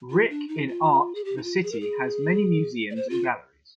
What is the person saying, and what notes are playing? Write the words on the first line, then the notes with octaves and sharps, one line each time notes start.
Rick in art the city has many museums and galleries.
F4
D4
D#4
F4
G#4
G4
D#4
F4
G#4
A#4
G#4
D5
C5
F4